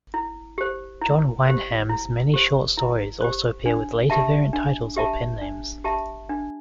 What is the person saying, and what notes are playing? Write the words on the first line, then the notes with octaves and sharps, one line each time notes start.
John Wyndham's many short stories also appear with later variant titles or pen names.
E4
G4 C5
E4
G4 C5
E4
G4 C5
E4
G4 C5
D4
G4 E5 A5
D4
G4 E5 A5
D4
G4 E5 A5
D4